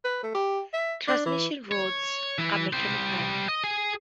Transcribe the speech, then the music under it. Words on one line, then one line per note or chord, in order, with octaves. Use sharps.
Transmission routes are mechanical.
B4
A3
G4
E5
D4
E3
C#5
E3 E4
G3 C5
D#5
G#4 G#5